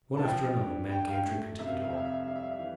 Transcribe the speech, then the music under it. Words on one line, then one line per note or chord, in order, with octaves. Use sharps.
One after another, men came trooping to the door.
A5
F3 G5
G2
G2 G5
F5
G5
A3
C3 E5
F5
E5
F5
E5
F2 F5
E5
F5
E5
G3 F5
E5
F5
E5
E3 F5